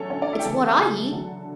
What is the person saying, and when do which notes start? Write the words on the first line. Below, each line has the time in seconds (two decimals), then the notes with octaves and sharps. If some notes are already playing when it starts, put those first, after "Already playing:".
"It's what I eat."
Already playing: D3 F#3 A3 C#4 A4 C#5
0.10 C#4 C#5
0.21 D4 D5
0.32 E4 E5
0.39 G5
0.44 C#3 E3 A3 A4 A5
1.10 D3 F#3 A3